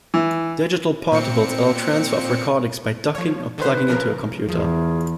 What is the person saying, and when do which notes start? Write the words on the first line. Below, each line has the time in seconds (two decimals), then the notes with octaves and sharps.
Digital portables allow transfer of recordings by docking or plugging into a computer.
0.14 E3
1.12 A#2 C4 C#7
3.15 F3 C#5
3.58 D3 D#3 B4 C5
3.88 C#3 F3 A#4
4.48 E2 F3 G#4